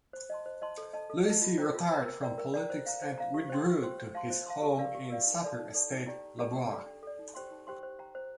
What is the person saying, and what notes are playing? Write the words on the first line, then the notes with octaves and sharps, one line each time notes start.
Louisy retired from politics and withdraw to his home in Saphyr Estate, Laborie.
C5
D#5 A5 C6
C5
D#5 A5 C6
A4
D#5 A5
A4
D#5 A5
F4
C5 G5 A#5
F4
C5 G5 A#5
A#4
D5 G5 A#5
A#4
D5 G5 A#5
C5
F5 A#5
C5
F5 A#5
G4
C5 G5 C6
G4
C5 G5 C6
C5
F5 A5 C6
C5
F5 A5 C6
G4
A#4 D5 F5
G4
A#4 D5 F5
D#4
A4 D5 A5
D#4
A4 D5 A5
D#4
G4 D5 G5 A#5
D#4
G4 D5 G5 A#5
D4
A4 D5
D4
A4 D5
D#4
G4 C5 G5 C6
D#4
G4 C5 G5 C6
C5
G5 A#5
C5